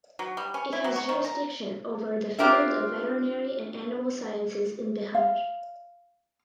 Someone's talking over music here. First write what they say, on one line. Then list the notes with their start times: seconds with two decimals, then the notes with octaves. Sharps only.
It has jurisdiction over the field of veterinary and animal sciences in Bihar.
0.19 F#3
0.37 G3
0.54 C#4
0.73 E4
0.84 F#3
0.96 C#5
1.09 D#3
1.25 A#5
2.38 D4 F4 G4 A#4 C5 E5
5.14 F5